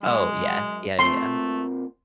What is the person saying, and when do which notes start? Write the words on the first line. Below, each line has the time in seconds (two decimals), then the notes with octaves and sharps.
Oh, yeah, yeah, yeah, yeah.
0.03 F#2 G#3
0.99 A#2 A3 C4 G5 C6